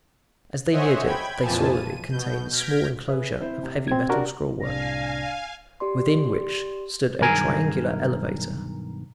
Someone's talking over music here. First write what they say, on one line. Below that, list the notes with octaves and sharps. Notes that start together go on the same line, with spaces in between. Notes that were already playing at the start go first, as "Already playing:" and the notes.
As they neared it they saw that it contained a small enclosure of heavy metal scrollwork, within which stood a triangular elevator.
C5 C#5 D#5 E5 F#5 G#5
G5 B5 G#6
F2 A#2 E3 F3 G#5 A5
D#7
B2 G6
F6 G6 G#6 A#6 B6 D7
G#4 B4 E5
C4 E4 C5
C3
C4 G#6
D4 F#4 G4 A#4 D5
C2 A2 C3 D4 F5 G#5 A#6
G4 D5 C6
B1 G2 D#3 G#4 A#4 G#5